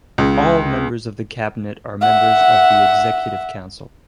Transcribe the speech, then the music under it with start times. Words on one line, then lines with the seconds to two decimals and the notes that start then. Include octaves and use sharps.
All members of the Cabinet are members of the Executive Council.
0.18 C#2
2.01 E5 F#5